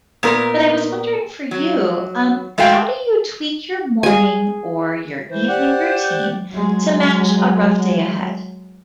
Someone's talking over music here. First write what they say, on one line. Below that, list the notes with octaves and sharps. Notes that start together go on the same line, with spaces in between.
but I was wondering for you, um, how do you tweak your morning or your evening routine to match a rough day ahead?
A#2 B3 A#4
F#3
G#3 A3 F#4 F5 G5
G#4 G#5
E3 C5
G4 D5 F#5
F#3 G#3